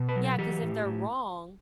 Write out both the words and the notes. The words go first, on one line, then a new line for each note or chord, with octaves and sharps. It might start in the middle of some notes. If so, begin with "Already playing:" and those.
Yeah, 'cause if they're wrong
Already playing: B2
B4
F#3
A4
E3 G4
A2
A2